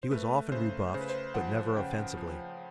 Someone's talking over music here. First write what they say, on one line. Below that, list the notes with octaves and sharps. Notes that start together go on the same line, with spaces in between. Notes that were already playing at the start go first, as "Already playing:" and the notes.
He was often rebuffed but never offensively.
C5
A3 B4
C#3 C5
C#3 C5
B4
C5
F3 F#5
C#3 G5
F3